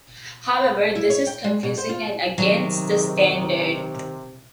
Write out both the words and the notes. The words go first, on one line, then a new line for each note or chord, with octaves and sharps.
However, this is confusing and against the standard.
E4
C#5
G5
G#3
B2
C5
F4
C3 D#3 F#3